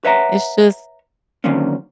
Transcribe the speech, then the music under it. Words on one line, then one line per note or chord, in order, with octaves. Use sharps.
It's just
B4 C#5 E5 F#5 A#5
D3 D#3 F#3 A#3 C4 C#4